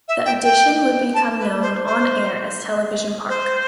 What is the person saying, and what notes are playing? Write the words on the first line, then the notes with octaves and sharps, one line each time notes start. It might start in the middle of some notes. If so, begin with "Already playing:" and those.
The addition would become known on-air as Television Park.
E5
G5
G5
A5
B4
C5
C5
C5